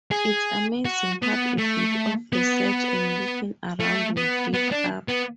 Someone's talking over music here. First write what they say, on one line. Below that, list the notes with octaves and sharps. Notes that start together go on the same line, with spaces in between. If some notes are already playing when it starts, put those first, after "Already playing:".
It's amazing what a bit of research and looking around will dig up.
G#4
F#4
B3
A3
B3
A3
B3
B3
D4
B3